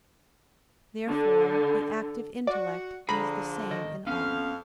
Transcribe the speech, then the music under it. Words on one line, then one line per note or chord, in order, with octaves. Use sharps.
Therefore the active intellect is the same in all.
D3
F#4 D5
D3 F3 G#4 A#5 B5
D#3 D#5
F2 B3 C#4 F5